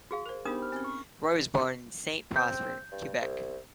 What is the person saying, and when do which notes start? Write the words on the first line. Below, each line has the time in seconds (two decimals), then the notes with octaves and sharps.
Roy was born in Saint-Prosper, Quebec.
0.11 F#4 G#4 F5
0.26 A#4 C5
0.45 B3 D4 D#4 G4 A#4 C5 B5 D#6
0.58 B5 F6
0.72 C4 C#4
0.84 C#6
2.36 C4 G6
2.91 G2
3.22 C2